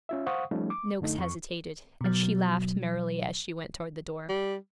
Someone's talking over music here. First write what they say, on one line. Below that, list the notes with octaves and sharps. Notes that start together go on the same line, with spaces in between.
Noakes hesitated, and she laughed merrily as she went toward the door.
C#4 F4 E5
C5 F5 F#5 C#6 D#6
F3 G3 A3 C#4 D#4
D6
F#2 D3 A3 D#4
F2 C#6
B2 F#3
G3